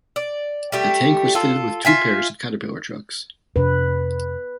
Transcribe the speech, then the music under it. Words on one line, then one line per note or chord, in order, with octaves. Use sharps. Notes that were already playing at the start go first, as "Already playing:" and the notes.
The tank was fitted with two pairs of caterpillar tracks.
D5
G3 A3 G4
F4 A4
F4 E5 G#5
F2 C3 D4 B4